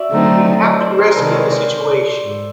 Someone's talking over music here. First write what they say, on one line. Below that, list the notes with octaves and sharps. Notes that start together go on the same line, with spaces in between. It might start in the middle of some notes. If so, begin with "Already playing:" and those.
We have to rescue the situation.
Already playing: F#4 D5 E5
D3 F#3 A3 C4 D#4
C#5 D#5
C5 D5
A#4 C5
C3 D#3 G#3 A4 B4
B4 C#5
C5 D5
G#2